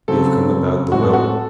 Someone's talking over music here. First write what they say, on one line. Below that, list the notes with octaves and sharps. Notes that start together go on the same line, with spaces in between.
"We have come about the will."
C#3 F#3 C4 A4
C#3 F#3 C4
A2 G#3 C4 F#4
A4
F#4
A4